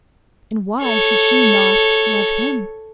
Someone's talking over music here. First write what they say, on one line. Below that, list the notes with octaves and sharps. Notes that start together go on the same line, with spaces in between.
And why should she not--love him?
A4 C#5